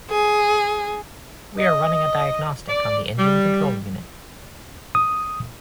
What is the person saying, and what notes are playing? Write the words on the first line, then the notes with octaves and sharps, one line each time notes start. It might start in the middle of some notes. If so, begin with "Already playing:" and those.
We are running a diagnostic on the engine control unit.
G#4
D#5
D5
G3
D#6